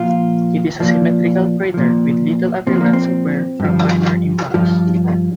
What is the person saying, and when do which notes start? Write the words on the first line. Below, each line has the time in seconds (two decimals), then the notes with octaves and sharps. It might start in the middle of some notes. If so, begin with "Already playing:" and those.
It is a symmetrical crater with little appearance of wear from minor impacts.
Already playing: A#2 F3 F4
0.80 A#2 F3
1.74 A#2 F3
2.67 A#2 F3 C4
2.81 A#3
2.93 C4
3.60 G2 F3
4.54 G2 F3